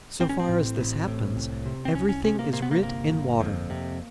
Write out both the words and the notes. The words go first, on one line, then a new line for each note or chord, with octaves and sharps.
So far as this happens, everything is writ in water.
A1 C4
C#4
C4
A2
A1
A2
C2
C3
C4
C2 C#4
C#4
C3 C#4
A#3
C3 A#3
B3
A#3
G1 A#3
G1
F2
C3